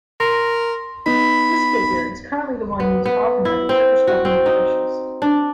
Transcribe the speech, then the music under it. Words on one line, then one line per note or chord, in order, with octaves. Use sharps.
This figure is currently the one used often by the Turkish government officials.
A#4 C6
B3 D#4 B5
B3
B3
E4
C4
F#4
C4
D#4
D4